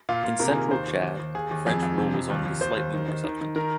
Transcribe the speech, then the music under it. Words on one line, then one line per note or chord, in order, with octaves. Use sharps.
In central Chad, French rule was only slightly more substantive.
A#2 F4
A#2
C3 A#4
G#4
D#3 A#4
D#2 C5
D#2
D#2
D#2
D#2 G#4
D#2
F2 G#4
F2
C3
F2
D#2
D#2
D#2 C5
D#2
D#3
D#3
D#3
D#3
D#3 A#4